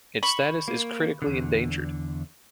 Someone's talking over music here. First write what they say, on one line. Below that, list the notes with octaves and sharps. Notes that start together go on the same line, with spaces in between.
Its status is critically endangered.
B5 C#6
A#3
E2 D3